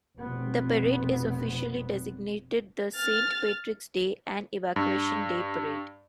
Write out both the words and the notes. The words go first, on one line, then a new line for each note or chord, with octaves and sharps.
The parade is officially designated the Saint Patrick's Day and Evacuation Day Parade.
F1 B2 B3 C4
F6 A6
G2